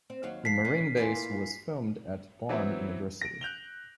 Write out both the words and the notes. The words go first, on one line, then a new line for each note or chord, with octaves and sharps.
The Marine Base was filmed at Bond University.
C4
D#2 F#3 F5
F3 B6 C7
C#4
E3 A#3 F4
E3 F#3 B3 C4 E4
A#6 D7
F#6 G6 F7 G7